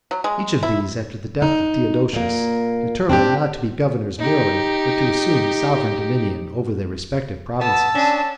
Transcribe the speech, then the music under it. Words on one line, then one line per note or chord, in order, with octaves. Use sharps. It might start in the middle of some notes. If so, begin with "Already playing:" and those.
Each of these, after the death of Theodosius, determined not to be governors merely, but to assume sovereign dominion over their respective provinces.
F#3
G#3
E4
D#4
A#2 A#3
C4 D4 E4 G4
D#4 G4
B3 A5 E6
C#4 D4